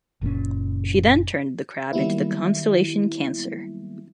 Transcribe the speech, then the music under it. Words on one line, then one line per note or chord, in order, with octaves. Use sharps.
She then turned the crab into the constellation Cancer.
F#1 A#2 C4 C#4
D#3 F#3 G3 A#3 B3 E4